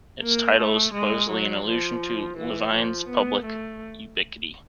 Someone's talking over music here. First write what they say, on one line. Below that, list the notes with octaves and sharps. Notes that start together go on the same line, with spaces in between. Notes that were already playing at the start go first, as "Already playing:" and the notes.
Its title is supposedly an allusion to Levine's public ubiquity.
A#3
A3
G#3
F#3
F3
E3
F3
B3
A3